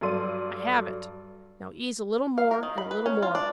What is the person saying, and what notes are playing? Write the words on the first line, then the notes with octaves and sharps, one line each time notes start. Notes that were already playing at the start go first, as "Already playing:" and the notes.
I have it; now ease a little more and a little more.
G2 F#3 A4 D5 C6 D#7
F5
A#4
D#3
B5
B4
C#4
F4
D4